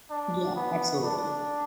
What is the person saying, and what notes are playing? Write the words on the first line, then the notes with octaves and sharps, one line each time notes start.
Yeah, absolutely.
D4
B3
D4